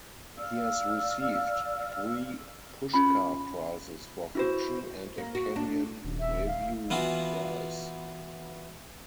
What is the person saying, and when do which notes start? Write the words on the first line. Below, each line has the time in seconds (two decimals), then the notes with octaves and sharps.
He has received three Pushcart Prizes for fiction and a Kenyon Review Prize.
0.38 D5 F5 E6 F6
2.93 C#4 F4 B5
4.35 E4 F#4 C5
5.18 A#3
5.35 F#4
5.56 D4
6.05 D#1
6.19 E5
6.46 F5
6.90 E3 B3 F4 F#4